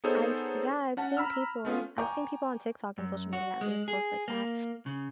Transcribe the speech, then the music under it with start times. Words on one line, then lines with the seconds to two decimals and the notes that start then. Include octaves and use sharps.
I've s yeah, I've seen people. I've seen people on TikTok, and social media at least posts like that,
0.04 B3 D#4 G#4 A4 C5 C#5
0.97 C#4 F#5 A5
1.17 A#5 B5 E6 F6
1.65 A3 B3 C#4 F4
1.98 G5 G#5 A#5 C#6 D6 G6
2.98 F#2
3.33 F#4
3.61 G#3
3.88 G#4
4.28 A#3
4.86 C#3